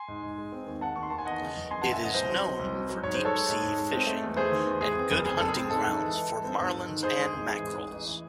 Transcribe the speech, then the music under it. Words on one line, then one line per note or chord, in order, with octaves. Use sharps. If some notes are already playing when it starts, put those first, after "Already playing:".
It is known for deep-sea fishing and good hunting grounds for marlins and mackerels.
Already playing: G#5 C6
G#2
G#2
G#3
C4
D#2
D#2 F#5 A5
D#2 C#6
C6
D#2 A5
G#5
E2 D#5 F#5
C#3
F#1
E2 G#5 C6
F#1 F#5 A5
E5 G#5
C#3 D#5 F#5
C2 C5 D#5
F#3
F#3
C2
F#3
F#3
G#2 C#5
G#3 C5
A4 C#5
G#3
G#2
G#2
G#3
C4
A3
E2
A3 G#4 C5
D#3
E2
E3 G#4
C4
F#1
C4 G#4
F#1 A4
G#4
C4
G#2 A4
G#2
E3
E3
E3
C4
G#2
G#2
D#3
G#3 G#4 C5
G#3
G#4
G#1
E3 G#4
G#2
A1
A1
E3